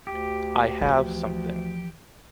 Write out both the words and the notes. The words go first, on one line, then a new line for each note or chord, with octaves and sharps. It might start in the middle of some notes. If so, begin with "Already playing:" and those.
I have something.
D2 G4
E3 F3